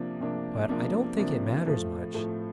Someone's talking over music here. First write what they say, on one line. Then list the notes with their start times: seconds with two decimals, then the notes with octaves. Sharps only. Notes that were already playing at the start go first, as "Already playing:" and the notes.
"But I don't think it matters much."
Already playing: C3 F3 A#3 D4
0.20 C3 F3 A#3 D4
0.69 C3 F3 A#3 D4
1.17 C3 F3 A#3 D4
1.66 A2 F3 A3
2.14 A2 F3 A3